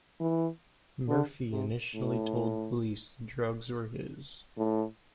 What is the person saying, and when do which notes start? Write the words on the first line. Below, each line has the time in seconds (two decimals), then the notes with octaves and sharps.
Murphy initially told police the drugs were his.
0.21 E3
1.08 D3
1.51 C3
1.95 A2
4.58 A2